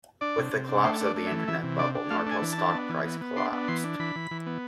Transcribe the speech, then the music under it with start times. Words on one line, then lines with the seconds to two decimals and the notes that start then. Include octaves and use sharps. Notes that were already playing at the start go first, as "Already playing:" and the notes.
With the collapse of the Internet Bubble Nortel stock price collapsed.
0.21 D4 D5
0.38 C3
0.53 C3
0.69 D4
0.85 A3 C5
1.01 D4
1.06 D5
1.16 A3
1.27 E5
1.32 E3
1.48 E3 E5
1.63 C3
1.79 D4 D5
1.95 D4
2.10 A3 F5
2.26 D4 G#5
2.42 E3
2.53 A5
2.58 D4
2.74 B3
2.89 E3
3.05 B3
3.21 B3
3.36 D4 C6
3.52 B3
3.68 E3 C6
3.84 D4
3.99 E3 B5
4.16 E3
4.31 E3
4.46 B3